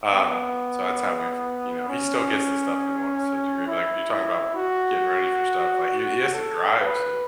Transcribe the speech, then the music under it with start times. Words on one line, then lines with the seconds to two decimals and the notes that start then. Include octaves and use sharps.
Um, so that's how we've, you know, he still gets the stuff he wants to a degree, but, like, you're talking about getting ready for stuff, like, he he has to drive soon.
0.10 B3
1.88 C#4
3.66 E4
4.11 E4
4.55 F#4
6.33 A4
6.78 B4